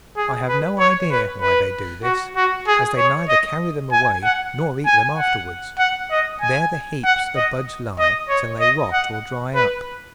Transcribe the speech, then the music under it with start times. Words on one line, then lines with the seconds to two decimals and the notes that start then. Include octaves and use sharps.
I have no idea why they do this, as they neither carry them away nor eat them afterwards; there the heaps of buds lie till they rot or dry up.
0.17 G#4
0.48 B4
0.79 C#5
1.11 B4
1.41 B4
2.04 F#4
2.36 F#4
2.67 G#4
2.98 C#5
3.29 D#5
3.92 G#5
4.24 F#5
4.86 G#5
5.17 F#5
5.79 F#5
6.11 D#5
6.42 G#5
7.04 F#5
7.36 D#5
7.99 D#5
8.29 C#5
8.60 D#5
8.93 F#5
9.55 B4